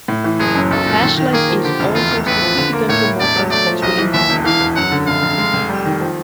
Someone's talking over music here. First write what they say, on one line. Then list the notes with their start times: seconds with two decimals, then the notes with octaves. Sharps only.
Hashlife is also significantly more complex to implement.
0.08 A2
0.24 E3
0.39 F#1 G#4
0.55 F#2
0.71 B1 A4
0.86 A#2
1.02 D#3
1.17 D#3
1.33 A#3 G#4
1.49 F3
1.64 D3 G4
1.80 F1
1.95 E2 F4
2.11 E2
2.26 A1 B4
2.42 F3
2.58 D3
2.73 A#3
2.89 A2 C#5
3.04 A2
3.20 E1 D5
3.36 F#3
3.51 A3 D5
3.66 F3
3.82 B1 D#5
3.98 E3
4.13 D#2 E5
4.29 E1
4.44 E3 F5
4.60 E2
4.76 F#2 F#5
4.91 D3
5.06 F1 F5
5.23 F1
5.38 G#3
5.54 F1
5.69 G3
5.85 D#3
6.00 F3